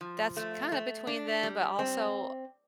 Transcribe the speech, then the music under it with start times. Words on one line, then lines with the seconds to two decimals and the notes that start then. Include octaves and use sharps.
that's kinda between them, but, also
0.01 F3
0.37 A3
0.72 A3
1.07 D4
1.43 G3
1.79 C4